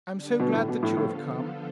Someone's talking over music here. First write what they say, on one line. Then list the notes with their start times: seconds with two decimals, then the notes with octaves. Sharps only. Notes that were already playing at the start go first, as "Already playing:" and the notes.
'I am so glad that you have come.'
0.11 D3 G3 D4
0.40 B2
0.54 A2
0.68 B2 D3 F3 B3 F4 A4
0.83 A2
0.97 A2